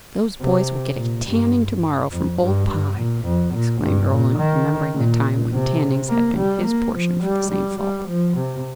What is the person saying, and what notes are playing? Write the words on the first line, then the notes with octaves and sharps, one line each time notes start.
"Those boys will get a tanning, to-morrow, from old Pye!" exclaimed Roland, remembering the time when "tannings" had been his portion for the same fault.
C3
A#2
G2
F2
G2
G2
A#2
F2
A#2
G2
A#2
D#3
A#2
C3
A#3
G3
A#3
F3
G3
G3
G3
F3
C3